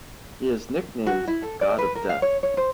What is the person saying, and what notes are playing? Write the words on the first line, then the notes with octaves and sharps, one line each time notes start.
He is nicknamed "God of Death".
F#4
E4
A4
D5
B4
A#4
F5
C#5
C#5
C5